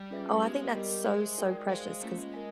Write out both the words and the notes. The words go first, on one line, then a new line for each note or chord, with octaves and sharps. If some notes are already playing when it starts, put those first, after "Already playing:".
oh, I think that's so, so precious 'cause,
Already playing: G3
C#4 F4 G#4 B4 E5
G#3 B3 D#4 G4
G3 G4 A#4 D#5
G#3 G#4 C5 E5
D#4 F#4 A#4 D5 G5
G#3 G#4 C5 F5
A3 A#3 C#4 F4
G#3
A#4 D#5 G#5